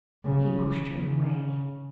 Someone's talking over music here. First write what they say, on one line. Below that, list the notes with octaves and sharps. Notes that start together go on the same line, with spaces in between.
He pushed her away.
C#3
C#3